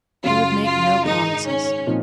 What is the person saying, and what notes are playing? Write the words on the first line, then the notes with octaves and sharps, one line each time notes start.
He would make no promises.
F#2 C#3 F#3 F4
F4
G#2 D#3 G#3 D#4
C#4
A#2 F3 C4 D#4